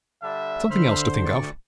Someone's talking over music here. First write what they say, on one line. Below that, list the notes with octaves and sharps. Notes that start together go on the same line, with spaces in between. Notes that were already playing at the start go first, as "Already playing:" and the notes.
Something else to think of.
D3 G3 D4 E5
D3 C5 E5 B5 F6
D2 D5 C#6